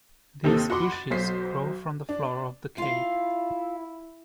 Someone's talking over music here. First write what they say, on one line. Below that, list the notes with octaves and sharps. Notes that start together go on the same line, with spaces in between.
These bushes grow from the floor of the cave.
D#2 C3 D#3 C4 D#4 A4
F#4 F#5 B5 C6 D6
A6
B1 B2 F#3 C5 B6 C7
D4
E4 F4 F5